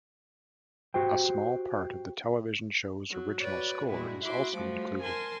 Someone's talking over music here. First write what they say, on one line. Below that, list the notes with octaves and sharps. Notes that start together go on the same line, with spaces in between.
A small part of the television show's original score is also included.
F#4 G4 C5 G5
F#3
F#4 B4 C#5 D5
A#2 G3 G#3 E4 F#4
E4 F#4 E5 C6 D6
F3 G3 A3 F#4
A#4 G#5 A5 C6